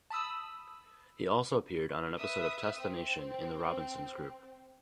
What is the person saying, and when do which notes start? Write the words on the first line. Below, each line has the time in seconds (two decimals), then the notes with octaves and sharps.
He also appeared on an episode of "Test the Nation" in the Robinsons group.
0.10 A5 B5 D#6 E6
2.18 B4 E5 D#6
2.77 C4